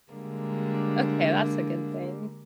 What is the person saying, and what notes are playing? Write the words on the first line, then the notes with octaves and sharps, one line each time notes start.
Okay, that's a good thing.
D3 G3 G#3 A#3 D4